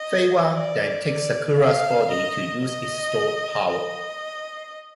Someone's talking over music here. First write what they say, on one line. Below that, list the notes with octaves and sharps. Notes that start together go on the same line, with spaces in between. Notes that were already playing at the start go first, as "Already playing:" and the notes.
Fei-Wang then takes Sakura's body to use its stored power.
Already playing: D#5
D5
D5
F5
D#5
D#5
D#5